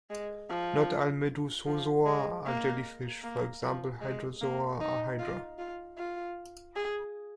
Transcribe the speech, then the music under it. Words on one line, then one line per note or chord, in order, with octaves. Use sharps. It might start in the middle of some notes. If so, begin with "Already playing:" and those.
Not all Medusozoa are jellyfish; for example, Hydrozoa are hydra.
G#3
F3
F3
G#3
A#3
A#3
F3
G#3
A#3
D#4
F4
F4
F4
G#4